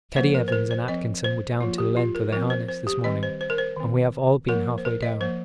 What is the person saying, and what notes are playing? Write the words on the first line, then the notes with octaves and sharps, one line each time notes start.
Teddy Evans and Atkinson were down to the length of their harness this morning, and we have all been half-way down.
F3 A#3 C5
A#4
C5
A#4
C5
F3 C4 D#5
C5
F3 A#3 F4
G4
F4
A#4
F3 C4 A#4
C5
C5
G4
D#3 G3 C4 D#5
C5
C5
A#4
C5
D#3 C4
F3 A#3 A#4
C5
A#4
D#5
F3 A#3 C5